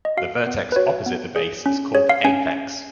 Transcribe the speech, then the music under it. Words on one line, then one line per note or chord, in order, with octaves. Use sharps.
The vertex opposite the base is called the apex.
D#5
F#4 F5
B3
B4
F#4 C#5
B3
G#4
C#4
G#4 C#5
F5
C#4 G#5